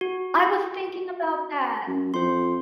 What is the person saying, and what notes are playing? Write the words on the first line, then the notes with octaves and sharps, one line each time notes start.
I was thinking about that.
F#4
F#2
F2 C5 C6